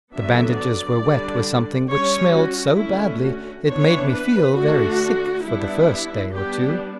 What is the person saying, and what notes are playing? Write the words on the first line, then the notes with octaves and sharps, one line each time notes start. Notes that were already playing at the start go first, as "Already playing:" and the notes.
The bandages were wet with something which smelled so badly it made me feel very sick, for the first day or two.
D3 F#3 B3 D4 E5
D5
D3 G3 D4
G3 C#4 C#5
F#4
D3 A3 C#4 E4
F#4
E3 B3 D4 C#5
B4
D3 A3 D4 F#4
G3 B3 D4 E4
G3 B3 D4 G4